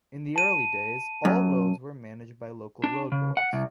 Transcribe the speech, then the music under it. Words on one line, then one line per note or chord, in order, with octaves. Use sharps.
In the early days all roads were managed by local road boards.
A5 D#7
F#2
D4
C#3
F#5
C2